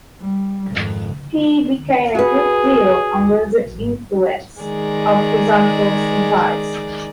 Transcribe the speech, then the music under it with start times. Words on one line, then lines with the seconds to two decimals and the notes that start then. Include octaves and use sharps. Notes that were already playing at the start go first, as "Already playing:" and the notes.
He became a good deal under the influence of his uncle's advice.
0.21 G3
0.72 G#1 F2
2.15 F#4 G#4 B4
4.61 D#3 G#3 G#4 D5